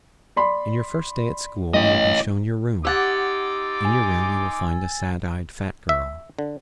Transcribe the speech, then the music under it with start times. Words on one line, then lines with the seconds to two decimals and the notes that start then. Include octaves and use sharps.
In your first day at school you will be shown your room; in your room you will find a sad-eyed fat girl.
0.36 D5 B5 C6
1.74 A1 C#5 D#5
2.85 D#4 G4 F#5 C6 D6 E6 G#6 A6
3.85 G#5
5.89 E5
6.39 D3